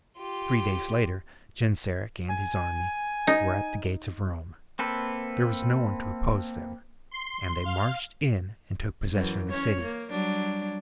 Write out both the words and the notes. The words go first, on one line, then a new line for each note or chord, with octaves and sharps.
Three days later Genseric and his army were at the gates of Rome. There was no one to oppose them, and they marched in and took possession of the city.
F4 G4
G#5
D#4
A#3 C4 A4 B4
C6
F5
F#2 E3
C#4 C#5
A#3
F#3 G3 D4